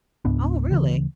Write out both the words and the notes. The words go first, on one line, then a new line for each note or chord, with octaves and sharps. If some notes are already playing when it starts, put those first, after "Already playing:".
Oh, really?
C#2 G#2 B3 D4
D2 C#3 E3